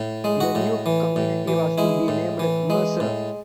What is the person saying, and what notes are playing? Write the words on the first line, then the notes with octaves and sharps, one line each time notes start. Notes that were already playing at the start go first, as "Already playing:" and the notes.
The new community was to be named Mercer.
Already playing: A2
G#3
F#4
A2
E3
A2
E3
G#3 E4
A2
E3
G#3
A2